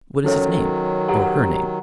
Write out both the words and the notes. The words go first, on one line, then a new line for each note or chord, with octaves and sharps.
"What is his name--or her name?"
D#3 F#3 C#4 A4 C#5
G4 F#5 A#5